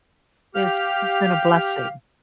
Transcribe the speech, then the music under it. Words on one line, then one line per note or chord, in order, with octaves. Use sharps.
It's it's been a blessing.
G4 F5 F6